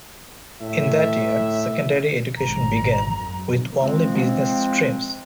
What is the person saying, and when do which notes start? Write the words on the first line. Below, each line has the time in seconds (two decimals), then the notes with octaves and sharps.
In that year, secondary education began, with only business streams.
0.62 A2 E5
2.37 G#1 A#5
3.17 F#2
3.81 F3 G#3 C4